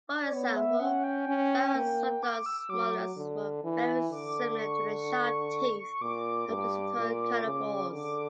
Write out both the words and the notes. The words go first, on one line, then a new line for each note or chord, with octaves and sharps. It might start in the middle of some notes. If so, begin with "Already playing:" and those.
For example, sparassodonts' molars were very similar to the sharp teeth of placental carnivores.
D5
B3 C#5
E5
C#4 F#5
G5
C#4
A#3
D6
E6
E6
F#3 D6
D3
E3
D3 D6
C#6
A#2 D6
G2
A#2
C#3
D3 D6